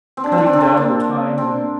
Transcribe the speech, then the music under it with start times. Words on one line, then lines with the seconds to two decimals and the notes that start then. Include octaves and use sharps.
cutting down the time and
0.17 C4
0.24 D4
0.32 C4
0.38 D4
0.46 C4
0.53 D4
0.60 C4
0.77 A#3
1.38 C4